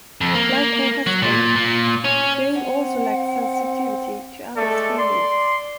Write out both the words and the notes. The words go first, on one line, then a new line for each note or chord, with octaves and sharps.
Like her husband, Jane also lacks sensitivity to other's feelings.
F2
A#3
F#3
A#2
A#2
C#4
C4 F#5
G#3 A3 A4 D5
D5 C6